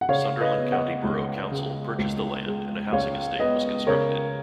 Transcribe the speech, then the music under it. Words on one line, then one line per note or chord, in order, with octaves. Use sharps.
Sunderland County Borough Council purchased the land and a housing estate was constructed.
F#5
C#3 C#5 F5
B4 D#5
B3
D#5 F#5
C#2
C#3
C#2
G#3
C#2 C#5 F5
B3 B4 D#5
C#3 A#4 C#5